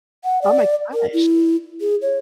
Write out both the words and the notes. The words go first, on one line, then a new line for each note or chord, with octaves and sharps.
Oh my gosh.
F#5
D5
A#4
E4
G#4
C#5